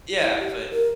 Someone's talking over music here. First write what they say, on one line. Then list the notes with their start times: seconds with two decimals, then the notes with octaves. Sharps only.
Yeah, but
0.21 E4
0.40 G4
0.71 A#4